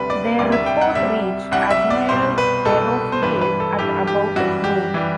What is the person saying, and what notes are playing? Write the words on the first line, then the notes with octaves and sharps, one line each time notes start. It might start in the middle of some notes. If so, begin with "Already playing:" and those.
Their report reached Admiral Yerofeyev at about noon.
Already playing: D2 C3 G3 B4
D5
D2 C3 G3 D5
E5
G5
F#5
C2 C3 G3 E5
C2 C3 G3 F#5
E5
D5
C2 B2 G3 C5
B4
C2 B2 G3 A4
C5
G2 E3 G3 B4
B4
A4
G2 E3 G3 G4
G4
F#2 E3 G3 F#4
G4
E3 G3